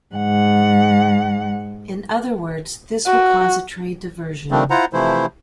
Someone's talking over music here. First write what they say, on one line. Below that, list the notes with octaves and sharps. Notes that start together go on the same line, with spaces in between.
In other words, this would cause a trade diversion.
G#2 F#5
F#4
D#3 F3 G3 A3 C4 D4
E4 F4 C5 F#5 A#5
C3 E3 F3 A3 E4 C5